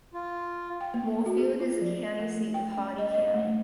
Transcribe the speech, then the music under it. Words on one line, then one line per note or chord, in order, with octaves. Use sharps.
Moorefield is the county seat of Hardy County.
F4
G5
A#3
F#4
G#4
F4
F3
A3
G5
C#4
D#5
D#5
A3